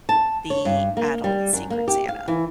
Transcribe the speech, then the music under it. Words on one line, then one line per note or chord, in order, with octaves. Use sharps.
the adult Secret Santa.
A5
C#5
G2
A#3
G3
F#2
A#3
G4
F5
E3